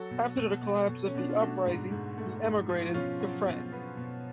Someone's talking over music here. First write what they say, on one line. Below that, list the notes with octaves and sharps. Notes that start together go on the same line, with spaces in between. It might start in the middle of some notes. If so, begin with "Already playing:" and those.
After the collapse of the Uprising he emigrated to France.
Already playing: F#3 F#4 A4
B2
B2
B2
B2
C#4
B2 D4
F4
A3 D4 F#4
G#2
G#2
A3
G#2
F3
B2 C#4 F4
F#3
B2
B3
B2